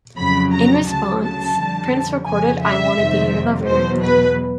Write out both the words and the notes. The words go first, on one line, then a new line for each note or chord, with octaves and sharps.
In response, Prince recorded I Wanna Be Your Lover.
F2 C#3 F#3 B5
A#5
D2 C#3 F#3 A5
A5
F2 D3 G3
F2 C#3 F3 G#5
E5
F2 C3 D#3 G3
E2 B2 F#3 C5
B4